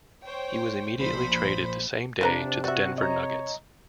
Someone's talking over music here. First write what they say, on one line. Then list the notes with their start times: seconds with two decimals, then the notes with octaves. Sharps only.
He was immediately traded the same day to the Denver Nuggets.
0.23 C5 C#5 G5
0.97 A#1 A#2 F3 C5 B5
2.21 C3 F3 D4 B4 A#5
2.64 F#4 D5 E5
2.98 C#5 D#5 A#5